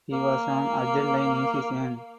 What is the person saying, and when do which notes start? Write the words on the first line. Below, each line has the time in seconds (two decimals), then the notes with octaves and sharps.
He was an Argentine musician.
0.13 A#3